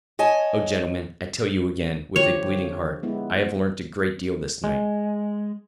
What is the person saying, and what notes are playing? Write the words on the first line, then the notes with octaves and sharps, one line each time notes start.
Oh, gentlemen, I tell you again, with a bleeding heart, I have learnt a great deal this night.
C#5 D#5 G#5 A5
D3 F3 G4 C#5
G#3 B3 E4
G#3